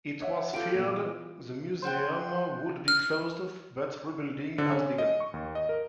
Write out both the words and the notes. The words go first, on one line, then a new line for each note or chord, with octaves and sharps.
It was feared the museum would be closed but rebuilding has begun.
C#5 E5 F#5
F4 G4 A4 F5 D7
A#2 B3
E3
C5 F#5 G5
F6
D3
C#4
D#5
C#6
D#2
D#5
A#4